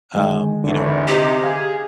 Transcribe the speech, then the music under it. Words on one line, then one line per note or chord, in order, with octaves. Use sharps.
Um, you know,
D3 D#3 G#3
G#1 E2 D3
C3 D#4 G4
G#4 F5